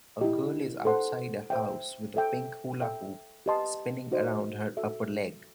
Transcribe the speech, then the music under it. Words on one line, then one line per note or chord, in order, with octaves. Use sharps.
A girl is outside a house with a pink hula hoop spinning around her upper leg.
E4 G4 D#5
A4 C5 F#5 C6
C5 E5 G5
A4 E5 G5
A4 E5 G5
G4 B4 D#5 A5 C6
D#4 F#4 C5 D#5
F#4 A4 E5